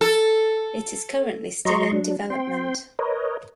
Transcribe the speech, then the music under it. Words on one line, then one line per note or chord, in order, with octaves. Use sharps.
It is currently still in development.
A4
F#3 D#5 A#5 C6 C#6
F#3 D4
C4 G5 C6
A#4 B4 C#5 D#5